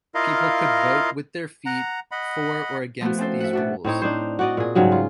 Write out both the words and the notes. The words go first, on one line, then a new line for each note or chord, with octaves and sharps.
People could "vote with their feet" for or against these rules.
E4 F4 A#4 D#5 F5
F#5 A#5
D#5 F#5 B5
F3 A3 B3 E4 F#4
C4 C#4 A4 C5
E5 F#5
B2 D4 F#4
A2 C4 D#4 C#5
D4 D#4 C5
F#4 D5 D#5
A#2 G#4
G#2 C#3 F#3 G3
F4